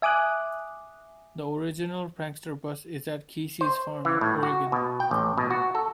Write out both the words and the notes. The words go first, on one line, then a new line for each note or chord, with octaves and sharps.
The original Prankster bus is at Kesey's farm in Oregon.
E5 G#5 D6 D#6 F#6
C5
E3
A2
F#4
B2
G5
A1
B2
F#4
A4